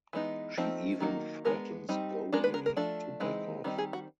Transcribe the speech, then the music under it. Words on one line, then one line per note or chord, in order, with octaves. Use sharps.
She even threatens Gowri to back off.
E3 G#3 B3 D#4
F3 A3 C4 D#4
D#3 F#3 A#3 D#4
G#3 B3 D4 A#4
G3 C4 D#4
G#3 B3 D4 A#4
B4
A#4
A#4
F3 A3 D4 A4
E3 G#3 C4 D#4
D#3 G3 C4 D#4
G#4
F#4